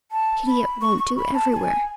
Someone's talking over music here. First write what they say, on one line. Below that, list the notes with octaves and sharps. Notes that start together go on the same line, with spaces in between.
Pity it won't do everywhere!
A5
B5
C#6
C#6
B5
A5
A5
G#5